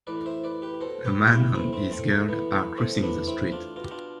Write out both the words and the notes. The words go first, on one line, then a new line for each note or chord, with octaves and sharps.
A man and his girl are crossing the street.
A2 E3 B4 D5
C5 E5
B4 D5
G4 B4
B2 A4 C5
G4 B4
E4 G4
A2 E3 C4 E4
C4 E4
A3 C4
A3
A2 E3 B3
B3
A3 C4
A2 E3 B3 D4
C4 E4
D4 F4
B2 F4
G4
D4 F4